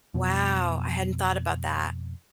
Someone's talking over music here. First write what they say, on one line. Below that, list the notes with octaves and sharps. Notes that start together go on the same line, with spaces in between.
Wow, I hadn't thought about that.
F2 B2